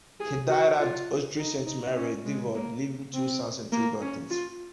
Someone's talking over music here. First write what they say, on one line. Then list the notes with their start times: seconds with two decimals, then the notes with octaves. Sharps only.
He died at Ottery Saint Mary, Devon, leaving two sons and two daughters.
0.20 G#4
0.49 F#4
0.80 F4
1.38 D#4
1.66 D#4
1.96 C#4
2.25 G#3
2.55 A#3
3.14 C4
3.72 A#3
4.01 C#4
4.30 F4